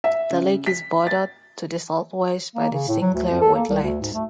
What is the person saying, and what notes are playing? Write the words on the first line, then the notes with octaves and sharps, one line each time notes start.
The lake is bordered to the southwest by the Sinclair Wetlands.
E5
C#3
B6
A6
A#3
C#3
A2
F#3
D2
F2
A4
A#3
C2
D2
G#2
A3